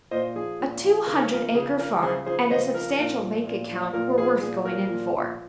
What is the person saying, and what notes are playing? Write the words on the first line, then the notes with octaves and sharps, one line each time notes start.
A two-hundred-acre farm and a substantial bank account were worth going in for.
A#2 C5 D#5
F3 G#4
A#2
F3
C#3 A#4
A#4 C#5
F3 A#4
A#4
C#3 G#4
F3 A#4
C#3 G#4 C5
F3 G#4 C5
C#3 C5 D#5
F3 A#4
A#2
F3
A#2
F3
A#2 A#4
F3 G#4
A#2 G#4
F3 A#4
A#2
F3